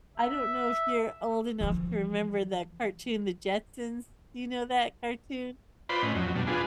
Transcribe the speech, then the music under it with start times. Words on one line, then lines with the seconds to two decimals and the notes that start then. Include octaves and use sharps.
I don't know if you're old enough to remember that cartoon, The Jetsons. You know that cartoon?
0.18 E5
1.60 E3 F3
5.89 F4 B4 C5 D5 B5 C6
6.02 A2 C#4 D#5
6.15 F2 F#3
6.35 B2 G3 D4
6.47 D4 F4 G#4 B4